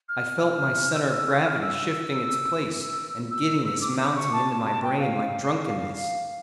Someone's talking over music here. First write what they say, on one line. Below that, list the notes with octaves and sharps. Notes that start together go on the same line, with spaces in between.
I felt my centre of gravity shifting its place, and giddiness mounting into my brain like drunkenness.
F6
E6
F6
F6
E6
E6
E6
D6
D6
C#6
A5
A5
G5
F5